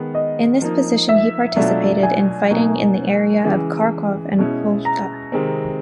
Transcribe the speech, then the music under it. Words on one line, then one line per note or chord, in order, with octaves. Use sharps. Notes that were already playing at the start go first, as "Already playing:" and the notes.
In this position he participated in fighting in the area of Kharkov and Poltava.
Already playing: D#3 G#3 B3
D#5
F3 A#3 D#4
E5
B2 F#3 A3 D4 F4
G#5
B2 F#3 A#3 D#4
C#3 E3 G#3
B2 G#3 C#4 E4
A#5
C3 D#3 G#3 C4